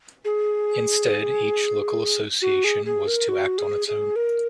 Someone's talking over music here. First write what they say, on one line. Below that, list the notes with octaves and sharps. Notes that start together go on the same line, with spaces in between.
Instead, each local association was to act on its own.
G#4
F#4
G#4
G#4
A#4
F#4
G#4
G#4
A#4